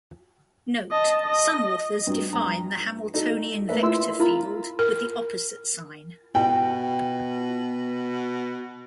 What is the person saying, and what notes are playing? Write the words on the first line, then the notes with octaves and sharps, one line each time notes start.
Note: Some authors define the Hamiltonian vector field with the opposite sign.
D#5 A5
D#5
G2 F#3
G2 A#5
D#4 F#4 A4
A3 A#3 B4 E5
E4 F4 C6 E6
F4 A#4 A#5 B5
A#4
B2 G5